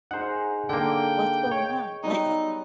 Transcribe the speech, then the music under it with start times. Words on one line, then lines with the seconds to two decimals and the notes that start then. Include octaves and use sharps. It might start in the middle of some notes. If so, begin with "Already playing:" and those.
"What's going on?" Like
0.11 D#4 G#4 A#4 C5 F#5
0.69 D3 A#3 G5
1.52 C#5
2.03 F#3 G3 B3 D#4